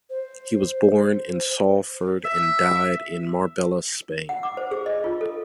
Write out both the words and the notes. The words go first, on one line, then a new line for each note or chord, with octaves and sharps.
He was born in Salford and died in Marbella, Spain.
C5
E5
F#5
D6
C5
G#4
D#5
F4
A4